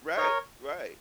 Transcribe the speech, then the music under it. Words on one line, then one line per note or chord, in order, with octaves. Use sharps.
Right. Right.
D#4 A#4 C#5